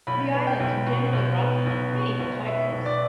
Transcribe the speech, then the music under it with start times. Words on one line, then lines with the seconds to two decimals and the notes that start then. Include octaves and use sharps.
The islands are generally rocky, many with high cliffs.
0.07 B1 B5
0.34 B3
0.47 G5
0.60 B1
0.86 B2
1.13 B1
1.39 B3
1.66 B1
1.93 B2
2.19 B1
2.46 B3 E5
2.72 B1
2.86 D5